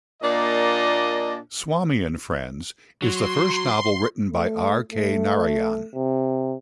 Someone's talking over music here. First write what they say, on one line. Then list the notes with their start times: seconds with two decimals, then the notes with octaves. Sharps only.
"Swami and Friends" is the first novel written by R. K. Narayan.
0.23 A#2 A#3 D4 D5 D#5
3.02 F#3 C6
4.30 A3
4.92 A3
5.94 C3